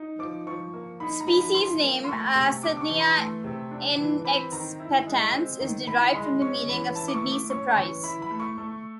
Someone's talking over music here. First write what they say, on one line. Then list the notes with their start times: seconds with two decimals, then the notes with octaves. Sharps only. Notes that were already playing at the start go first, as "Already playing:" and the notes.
The species name, "Sidneyia inexpectans", is derived from the meaning of "Sidney's surprise".
Already playing: D#4
0.19 F3 D6
0.47 F3 C#6
0.74 A#3
1.00 D#4 B5
1.21 A#5
1.28 F3 B5
1.55 F3 C6
1.82 A#3
2.04 C6
2.09 A3 C#6
2.35 C3
2.63 D4 D6
2.77 D6
2.81 C#6
2.90 E3
2.99 C6
3.17 A3
3.44 C3
3.71 D4
3.98 E3
4.25 C4 B5
4.52 D#3 A#5
4.80 E4
5.07 G#3
5.34 C4
5.60 D#3
5.87 E4 B5
6.03 B5
6.14 G#3 C6
6.42 C#4 C#6
6.69 E3 B5
6.95 E4 A5
7.08 D6
7.14 C#6
7.23 A3
7.32 D6
7.50 C#4 C#6
7.77 E3 C#6
8.03 E4 B5
8.22 B5
8.31 A3
8.40 C#6
8.58 A3